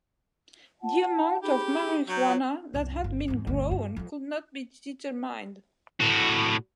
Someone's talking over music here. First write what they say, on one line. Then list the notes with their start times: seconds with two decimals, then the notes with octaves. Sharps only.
The amount of marijuana that had been grown could not be determined.
0.81 F4 F#5 A5
1.41 D#4 G4 G#4 B5
2.08 F#3 A#5 G6
2.26 F4 C#5 F5
2.74 C2 F#2
3.04 G1
3.28 E2 G#2
3.47 G1 D2
3.71 G2
3.96 F2 F3
6.00 A2 F#4